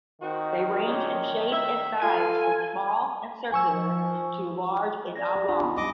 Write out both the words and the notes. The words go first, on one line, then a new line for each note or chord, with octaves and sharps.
They range in shape and size from small and circular to large and oblong.
D#3 C4 D#4 F#4
A#2 C#4 C#5
E5
F4 A4 G#5
F3 G#5 C#6 E6
D5 G#6 A#6
G4
D4 F4 G#5 B5
B3 D#4
G3 B3 F4 D#5 D6